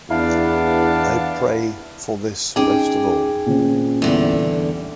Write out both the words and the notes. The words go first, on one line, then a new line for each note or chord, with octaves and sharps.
I pray for this most of all.
E2 B3 D4 E4 F5
C#4 D#4 G#4 G5 D6
A#2 C#3 C4
E2 D3 G3